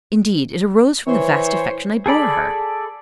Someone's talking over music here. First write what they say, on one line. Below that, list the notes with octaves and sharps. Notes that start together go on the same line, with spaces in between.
Indeed it arose from the vast affection I bore her.
E3 C5 C#5
G#4 A4 D5 B5